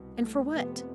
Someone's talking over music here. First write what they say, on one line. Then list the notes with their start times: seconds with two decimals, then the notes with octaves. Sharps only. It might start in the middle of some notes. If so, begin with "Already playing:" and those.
"And for what?"
Already playing: C2 B2
0.21 A3
0.55 F1 F2 C3 B3